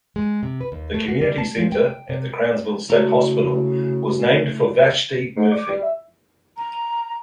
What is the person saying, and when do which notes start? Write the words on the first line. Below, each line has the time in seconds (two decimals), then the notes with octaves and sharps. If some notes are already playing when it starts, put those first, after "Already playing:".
The community center at the Crownsville State Hospital was named for Vashti Murphy.
0.16 G#3
0.43 C3
0.61 B4
0.72 D#2
0.94 A3
1.08 F#4
1.21 G3
1.38 A5
1.58 F3
1.72 G5
2.09 C3
2.90 C#3 A3 E4 F#4 A#5
5.36 G#2
5.52 D6
5.67 G3
5.82 E5
6.57 A#5